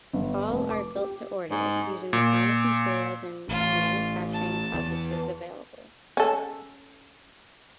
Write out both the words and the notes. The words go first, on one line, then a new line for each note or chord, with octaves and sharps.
All are built to order, using the finest materials and manufacturing processes available.
G1
F1
D6
G4
G#2
A#2
A1 F4
A5
E2
C#4 A4